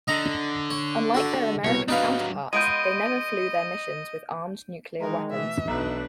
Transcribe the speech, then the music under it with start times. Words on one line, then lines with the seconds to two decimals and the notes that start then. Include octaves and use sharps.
Unlike their American counterparts they never flew their missions with armed nuclear weapons.
0.08 D3 D#5 A#5
0.70 C#5
1.14 F#4 A4
1.65 C2 B2 C#5
1.88 F#3 D4 D#4 B4 F5
2.53 G#3 B3 F4 D#5 G6 D7 D#7
5.00 D#3 E3 G#3 D#4 A#4
5.31 B2 E3 A3 E5
5.68 B1 F#3 D4 D#4 B4